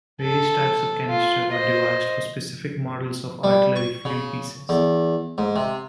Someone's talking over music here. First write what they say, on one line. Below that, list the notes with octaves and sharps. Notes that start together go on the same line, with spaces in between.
Various types of canister were devised for specific models of artillery field pieces.
A4
F4
C5 D#5
G3
C#6
C#3
E2
G#2
C3